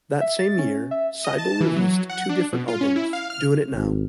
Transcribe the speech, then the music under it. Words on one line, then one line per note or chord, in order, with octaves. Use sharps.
That same year, Sybil released two different albums: Doin' It Now!
E5
A6
C#4
E5
D#5
A5
E3
F#3
F#5
D4
B2
F4
C#4
E4
F5
F6
G#1